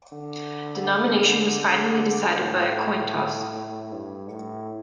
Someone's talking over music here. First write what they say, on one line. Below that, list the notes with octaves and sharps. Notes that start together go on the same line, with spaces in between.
The nomination was finally decided by a coin toss.
D3
A2
G2
A2